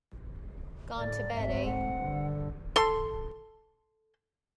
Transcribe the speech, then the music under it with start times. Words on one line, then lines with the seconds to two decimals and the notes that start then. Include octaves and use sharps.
Gone to bed, eh?
0.97 A2 D5
1.35 G#2 A3 C4 E5
1.65 F#5
1.99 G2 D3
2.76 A4 C6